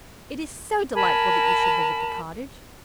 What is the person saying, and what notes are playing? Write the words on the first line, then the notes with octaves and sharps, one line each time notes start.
It is so delightful that you should live at the cottage!
A#4 G#5 A5 B5